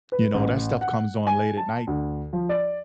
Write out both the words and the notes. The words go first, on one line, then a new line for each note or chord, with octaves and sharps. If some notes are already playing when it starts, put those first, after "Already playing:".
you know, that stuff comes on late at night.
B4
A1
F#5
G#5
A5
D2
F3
D5